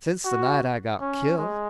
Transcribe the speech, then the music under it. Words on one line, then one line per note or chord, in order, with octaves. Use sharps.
"Since the night I got killed."
F#4
C#4
G#3